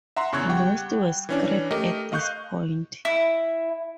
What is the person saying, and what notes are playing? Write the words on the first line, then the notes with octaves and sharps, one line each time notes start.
Most were scrapped at this point.
E5 F#5 A#5 C6
E2 C#3 C#6 F#6 G#6
G3 F#5 G5 C#6
E3 C#4 D4
A3 G4 A#4 D#5
D#5 F5 C#6 F#6 G6
E4